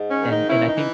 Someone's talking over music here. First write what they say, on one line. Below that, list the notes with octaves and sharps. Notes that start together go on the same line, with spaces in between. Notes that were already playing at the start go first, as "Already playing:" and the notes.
And and, I think
Already playing: G#2
C#4
D#3
D#4
E3 C#4 E4
D#4
E3